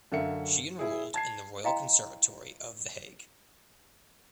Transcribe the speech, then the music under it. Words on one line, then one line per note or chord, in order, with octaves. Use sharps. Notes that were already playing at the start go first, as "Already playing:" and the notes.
She enrolled in the Royal Conservatory of The Hague.
F#2 D3 E5 F5 C#7
E4 G#4
A5 G#6 C7
E4 D#5 F5 G5 A#5 C6